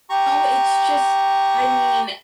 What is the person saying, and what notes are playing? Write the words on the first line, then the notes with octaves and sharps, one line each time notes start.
oh, it's just I mean,
G4 A#5 C#6